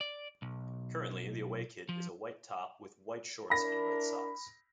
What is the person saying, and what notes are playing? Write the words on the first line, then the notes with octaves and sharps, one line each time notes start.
Currently the away kit is a white top with white shorts and red socks.
D5
B1
F3
D4 E4 A#4 B5 A#6